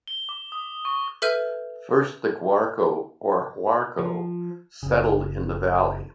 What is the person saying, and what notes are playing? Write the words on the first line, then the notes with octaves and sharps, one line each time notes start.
First, the Guarco, or Huarco, settled in the valley.
G7
D6
D#6
C#6
A4 B4 E5 F6 G6 D#7
F3
F#1 C#3